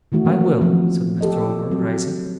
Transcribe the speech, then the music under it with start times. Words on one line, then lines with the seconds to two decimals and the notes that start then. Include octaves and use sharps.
'I will,' said Mr. Omer, rising.
0.12 D#3 E3 A3 F#4
0.25 F#3 A#3 C#4
0.61 F3 F#3 C4
1.21 G4 A4 D#5
1.71 F#3 C4